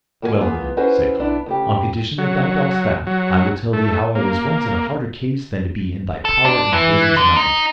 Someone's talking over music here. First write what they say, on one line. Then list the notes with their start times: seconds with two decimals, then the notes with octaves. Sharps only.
"Well then," said Conall, "on condition that thou dost that, I will tell thee how I was once in a harder case than to be in thy power in prison to-night."
0.22 D#2 A#3 F#4 G4 G#5
0.40 E3 A#3 B3 F4 G#4
0.77 C#4 E4 F#4 G#4 B4 C5
1.19 B3 D4 E4
1.46 D2 C#3 G4
2.18 F#3
3.07 F#3
3.73 A3
4.15 A#3
6.25 A4
6.45 D4
6.73 E3
7.17 D3
7.36 D#4